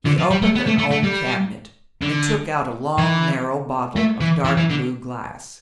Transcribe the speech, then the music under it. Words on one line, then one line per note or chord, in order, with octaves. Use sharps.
He opened an old cabinet, and took out a long narrow bottle of dark-blue glass.
D3
F3
G3
A3
B3
A3
A3
A3
G3
D3
E3
A3
E3
E3
E3
D3